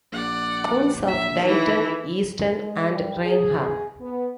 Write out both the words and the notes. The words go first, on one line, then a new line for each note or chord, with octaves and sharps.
Towns of Dighton, Easton, and Raynham.
A#1 D5 F#5
E5
D#3 E3 E4
G#3
G3
G#4
G#4
B3